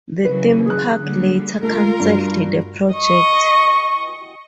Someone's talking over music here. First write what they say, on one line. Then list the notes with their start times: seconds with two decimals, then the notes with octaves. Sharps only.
The theme park later canceled the project.
0.25 C#3 E3 F#3 B4
0.66 G#4 F#6
1.01 D3 G3 A#3
1.63 A3 F4 A#4
2.00 G2 F#4
2.94 D#5 C#6